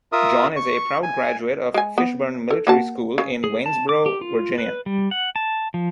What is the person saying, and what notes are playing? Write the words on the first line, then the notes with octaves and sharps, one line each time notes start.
John is a proud graduate of Fishburne Military School in Waynesboro, Virginia.
F4 A#4 E5 D#6
C#6
G#5
G#3 G#5
B3
A4
A#3 F#4 A5
C#3
G#4
A5
D6
G4
F4
B4
G3
F#5
A5
F3